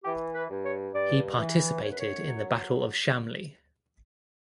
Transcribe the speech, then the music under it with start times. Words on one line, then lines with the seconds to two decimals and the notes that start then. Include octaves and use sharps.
He participated in the Battle of Shamli.
0.04 E3 G4
0.34 B4
0.49 G2
0.64 C#5
0.93 G2 D5
1.37 E3
1.82 F#2 C#5
1.91 B4
2.00 C#5
2.27 F#3